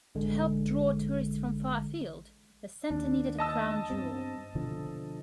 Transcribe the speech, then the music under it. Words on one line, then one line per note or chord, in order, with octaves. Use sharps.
To help draw tourists from far afield, the center needed a crown jewel.
A1 D3 G#3
D#2 D4
D#5 A5 E6
G2 B3 C4
B2 D3 F3